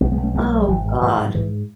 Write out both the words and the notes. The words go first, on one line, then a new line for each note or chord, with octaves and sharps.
Oh, god.
B1 G#3 B3
G#3 B3
B1
A3 C#4
B1 G#3 B3
B2
G#1 E3
G#2
G#2 E3
G#2
G#2 E3